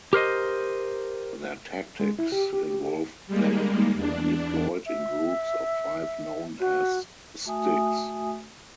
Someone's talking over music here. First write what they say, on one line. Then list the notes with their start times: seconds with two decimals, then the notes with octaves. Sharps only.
Their tactics involved them being deployed in groups of five known as "sticks".
0.13 G4 A#4 C5 D#5
2.00 G#3
2.19 E4
2.32 G4
2.53 G4
3.27 G3 G#3 A#3
3.94 E2 D4
4.86 E5
6.60 F#4
7.46 A3 F#4 E5 G#5 D#6